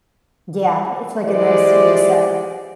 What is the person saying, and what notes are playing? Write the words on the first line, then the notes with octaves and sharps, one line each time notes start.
Yeah, it's, like, a nice reset
E3 G#3 G4 C5 D5